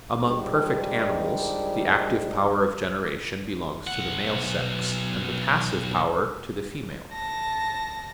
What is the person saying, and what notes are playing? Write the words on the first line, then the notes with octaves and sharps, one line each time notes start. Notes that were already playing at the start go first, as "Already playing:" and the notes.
Among perfect animals the active power of generation belongs to the male sex, and the passive power to the female.
D#3 F3 G3 G#3 D4
B1 F#5
A5 A#6